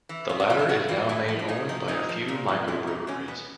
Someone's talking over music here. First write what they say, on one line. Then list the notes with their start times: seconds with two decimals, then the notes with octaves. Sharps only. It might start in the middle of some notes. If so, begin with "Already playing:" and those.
The latter is now made only by a few microbreweries.
0.09 E3
0.29 C3 F4
0.40 F#4
0.50 E3 F4
0.59 E4
0.69 C3 F#4
0.88 E3 F4
1.09 A#2 E4
1.28 F3
1.39 D4
1.49 A#2 D#4
1.69 F3 D#4
1.88 A#2 D#4
2.09 F3
2.28 A#2
2.48 F3
2.68 B2 E4
2.87 D#4
3.07 B2 C#4
3.28 B3